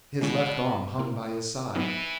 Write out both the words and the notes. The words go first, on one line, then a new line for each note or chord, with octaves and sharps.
His left arm hung by his side.
B2 D#3 G#3 C#4 E4
A#2 A#3 E4
E3 F#3 B3 D#4